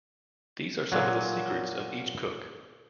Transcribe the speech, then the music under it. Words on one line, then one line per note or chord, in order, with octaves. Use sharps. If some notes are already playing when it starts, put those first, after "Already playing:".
These are some of the secrets of each cook.
A#2 F#3